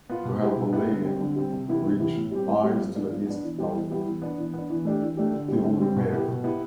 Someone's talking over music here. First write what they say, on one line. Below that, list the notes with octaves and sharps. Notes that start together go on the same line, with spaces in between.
The Helvellyn ridge lies to the east of Thirlmere.
B3 F4
B2
B3 E4 G4
B2
B3 E4 G4
D3
G3 C4
D3
G3 C4
C3
E3 B3 E4 G4
C3
E3 B3 E4 G4
A2
G3 C4 G4
A2
G3 C4 G4
F3
B3 D4
F3
B3 D4
E3
G3 B3 E4 G4
E3
G3 B3 E4 G4
E3
B3 D4
E3
B3 D4
E3
A3 D4 G4
E3
A3 D4 G4
D3
G3 C4
D3
G3 C4
B2
B3 E4 G4
B2
B3 E4 G4